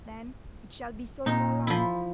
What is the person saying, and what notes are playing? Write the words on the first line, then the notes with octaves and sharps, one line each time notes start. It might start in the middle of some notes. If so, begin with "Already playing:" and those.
'Then it shall be so no longer!
A#2 D#4
F3 E4